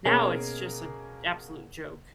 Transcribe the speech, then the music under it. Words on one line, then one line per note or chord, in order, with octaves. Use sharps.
now it's just an absolute joke.
B2 A#3 C#4 G#4 A#4